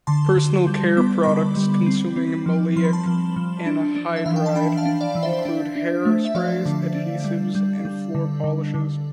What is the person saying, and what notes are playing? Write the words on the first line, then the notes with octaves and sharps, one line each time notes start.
Personal care products consuming maleic anhydride include hair sprays, adhesives and floor polishes.
D3 A5 C6
D3
G3
B3 D6
D3 B5 D6
G3
C4
C4
F3
F3 C6
B5
A5 C6
F3
F3
D4
D4
E5
E3 F5
G5
A5
D4 G5 B5
F5 A5
D4
D5 F5
E3
C5 E5
D4
D4
A3
E5
F3 D5 F5
D3
D4
G3
G3
G3
D3
D3
D3